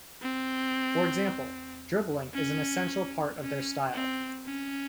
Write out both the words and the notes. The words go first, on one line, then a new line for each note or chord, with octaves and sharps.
For example, dribbling is an essential part of their style.
C4
C#4
C#4
C4
C#4